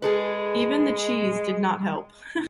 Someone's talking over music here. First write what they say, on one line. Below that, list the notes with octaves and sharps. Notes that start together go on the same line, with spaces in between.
Even the cheese did not help.
G#3 G#4 A4 B4